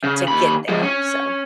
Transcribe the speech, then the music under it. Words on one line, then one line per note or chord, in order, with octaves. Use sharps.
to get there, so
C#3
D#2 B5
F3 G#3
C#4